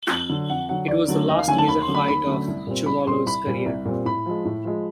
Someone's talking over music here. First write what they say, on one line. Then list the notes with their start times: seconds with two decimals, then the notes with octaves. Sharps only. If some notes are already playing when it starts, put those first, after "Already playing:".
It was the last major fight of Chuvalo's career.
0.09 F2
0.29 D3 F#3
0.49 F2 F#5
0.69 D3 F#3 F#5
0.88 D#2 D5
1.08 D3 F#3 A3 C#4
1.28 D#2 D#5
1.39 F5
1.48 D3 F#3 A3 C#4 G#5
1.58 A5
1.68 D#2 B5
1.82 C6
1.87 D3 F#3 A3 C#4
1.95 B5
2.08 D#2 B5
2.27 D3 F#3 A3 C#4
2.47 C2
2.67 A#2 G3 C4
2.86 C2 B5
3.06 A#2 G3 C4 C6
3.26 C2 B5
3.46 A#2 G3 C4
3.66 C2
3.85 A#2 G3 C4
4.05 A2 B5
4.26 F3 G#3
4.45 A2
4.65 F3 G#3